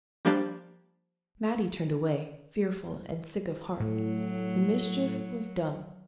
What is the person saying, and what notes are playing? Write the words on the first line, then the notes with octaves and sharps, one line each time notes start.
Mattie turned away, fearful and sick of heart; the mischief was done.
F3 G3 A#3 D4 G4 D5
A2 F#3